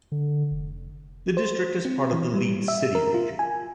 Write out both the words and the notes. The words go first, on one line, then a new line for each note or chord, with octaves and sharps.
The district is part of the Leeds City Region.
D3
F1
C5
C4
E3
G3
E5
A#4
F4
G#5